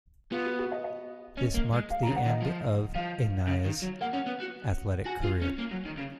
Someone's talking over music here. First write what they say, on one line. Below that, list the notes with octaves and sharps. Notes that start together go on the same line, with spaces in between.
This marked the end of a Nia's athletic career.
B3 F4
F#4
F#4
D#5
D#5
C#4
A#3
G#3
F5
C#3 A#5
F#5
D#3
D#5
F3
F3 F5
C#3
D#3
F#3
A#3 F#5
C#4
B3
F#4
F#4 G#5
F4
C#4
A#3
F#3
D#3
C#3